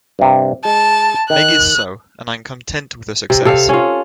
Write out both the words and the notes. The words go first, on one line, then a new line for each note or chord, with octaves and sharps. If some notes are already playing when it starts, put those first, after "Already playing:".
Meg is so, and I am content with her success.
G2 C3
G#3 A5
D#3 F#6
C3
C3 A4 F5
C#4 F4